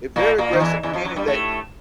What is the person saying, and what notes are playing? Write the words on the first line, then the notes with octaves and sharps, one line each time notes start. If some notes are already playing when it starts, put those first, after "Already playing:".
They're very aggressive, meaning that
A#2 A#3
A#2 A#3
D#3
E2 E3
E2 E3
F2 F3
F#2 F#3
G2 G3
A2 A3